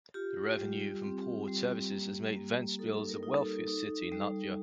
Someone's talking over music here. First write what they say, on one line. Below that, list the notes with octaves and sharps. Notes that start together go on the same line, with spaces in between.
The revenue from port services has made Ventspils the wealthiest city in Latvia.
F4 G4
G3
C4
G3
A#3
A#3
D#4 A4
A#4
D#4
A4
D#4
G3